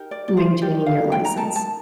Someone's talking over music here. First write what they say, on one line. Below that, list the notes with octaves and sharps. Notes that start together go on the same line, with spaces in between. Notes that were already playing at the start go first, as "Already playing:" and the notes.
maintaining your license.
Already playing: D#4 G4 A#4
D5
D5
C5
D#4 G4 A#4 D5
F5
G5
A#5
D#4 A#4 A5
A5